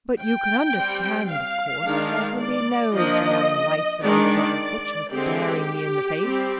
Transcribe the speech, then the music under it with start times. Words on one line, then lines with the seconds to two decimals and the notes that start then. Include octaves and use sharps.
"But you can understand, of course, there can be no joy in life for me with that butcher staring me in the face."
0.20 G5
0.75 G3 C4
1.30 F5
1.85 D#3 G#3 D4
2.39 D5
2.94 F3 A#3 D4 D#5
4.02 D#3 G#3 D4 D5
5.12 D3 G#3 C4 G4
6.22 G3 C4